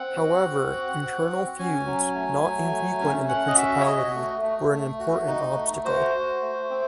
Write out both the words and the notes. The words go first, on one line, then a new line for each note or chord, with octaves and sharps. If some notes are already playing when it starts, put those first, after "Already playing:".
However, internal feuds, not infrequent in the principality, were an important obstacle.
Already playing: C4 F#5
F#4
C4
F#4
C4
F#4
C#4 G#5
F#3
A3
F#3
A3
C#4
C#4 F#5
D#5
F#4 E5
C#5
F#4 D#5
A3
A3
A3
F#4
D#4
A3
F#4 C5
F#4
A3
C4